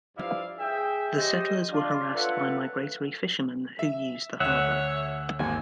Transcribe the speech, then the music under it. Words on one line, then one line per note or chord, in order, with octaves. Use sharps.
The settlers were harassed by migratory fishermen who used the harbour.
G2 F3 E4 D5 F5
G#4 E5 G5
G4 G#4 C5 C#5 D#5
D4 F4
F4 A4 B4 C#5 E5 F#5
E5
D2 C#5 E5 F#5 F#6
G#1 D#2 G#5